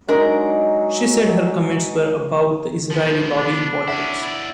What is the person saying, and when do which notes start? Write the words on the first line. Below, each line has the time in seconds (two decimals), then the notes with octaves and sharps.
She said her comments were about the Israeli lobby in politics.
0.08 F#3 G#3 D4 D#4 A#4
2.91 F3 B3
3.37 D4
3.88 C#4 E4 E5 F#5
4.23 E4 D5